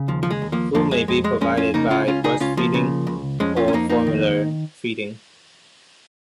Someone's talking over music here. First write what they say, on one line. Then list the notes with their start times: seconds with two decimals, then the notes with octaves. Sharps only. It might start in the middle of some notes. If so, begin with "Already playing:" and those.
Food may be provided by breastfeeding or formula feeding.
Already playing: C#3
0.08 D#2 F3
0.23 F3
0.31 G#3
0.42 D#2
0.52 F3 A#3
0.75 F2 F3 A#3
0.91 G#3
1.08 F2 G#3
1.24 G#3
1.41 F2 G#3 C#4
1.57 C#4 F4
1.74 C#3 A#3 D#4
1.91 C#4 F4
2.07 C#2 C#4 F4
2.24 D#4 G#4
2.40 C#2 C#4 F4
2.57 F3 A#3
2.74 C#3
3.07 C#2
3.40 F2 G#3 C#4
3.56 C#4 F4
3.68 C#4
3.73 F2 A#3 D#4
3.89 A#3 D#4
4.07 D#3